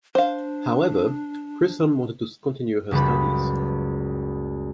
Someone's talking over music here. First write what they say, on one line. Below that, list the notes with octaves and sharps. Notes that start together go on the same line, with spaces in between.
However, Chisholm wanted to continue her studies.
D4 C5 F5
F#1 C#2 G3 B4 B5